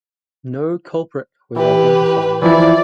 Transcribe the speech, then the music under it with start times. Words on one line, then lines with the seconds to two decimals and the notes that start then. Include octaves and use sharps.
No culprit was identified.
1.56 E3 G4 B4
2.42 E3 F3 E4 D5